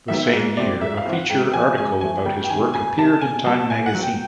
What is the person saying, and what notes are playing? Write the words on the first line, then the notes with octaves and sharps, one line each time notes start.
The same year, a feature article about his work appeared in Time Magazine.
D#3 F#3 B3 E5
G#2
E3 A3 C4 D5
G#2 E5
F5
E3 A3 C4
F#5
G#2 G5
F3 A3 G#5
G#2 G#5
F3 A3 G#5
D2 G5
G5
C3 D#3 G#5
D2 G#5
C3 D#3 A5
A#2 G#5
F#3 B3 A5
A#2 G#5
F#5
F#3 B3
G5